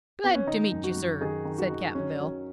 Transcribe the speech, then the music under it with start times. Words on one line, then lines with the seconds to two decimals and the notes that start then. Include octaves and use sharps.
"Glad to meet you, sir," said Cap'n Bill.
0.24 B3
0.35 C#4
0.47 D#3 D#4
0.72 F#2
0.84 F#4
0.96 F#2
1.21 D#3 G#4
1.45 D#3
1.58 F#4
1.70 D#3
1.95 F#3 C#4
2.20 F#3